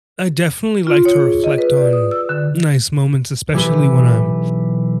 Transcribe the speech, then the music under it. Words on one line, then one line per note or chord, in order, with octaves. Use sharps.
I definitely like to reflect on nice moments, especially when I'm
F4
C#5
G#4
D#5
B4
D5
D#6
E6
D3
B1 E3 G4 A4 B4